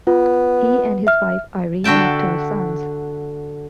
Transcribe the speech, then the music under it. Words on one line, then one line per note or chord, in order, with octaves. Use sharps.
He and his wife, Irene, have two sons.
B3 F4
E5 F6
D3 F#4 E5 G5 A5